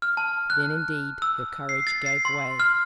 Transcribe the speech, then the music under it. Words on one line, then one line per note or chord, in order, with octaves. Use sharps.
Then, indeed, her courage gave way.
F6
A5
F#6
E6
C7
A6
C7
C6
F6